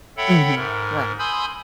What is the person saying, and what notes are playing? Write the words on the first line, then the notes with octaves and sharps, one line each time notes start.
Mhm, right.
A4 C#5 E5 F#5 G5 B5
G#2 A#4
G#5 B5 C6 D#6 E6 G6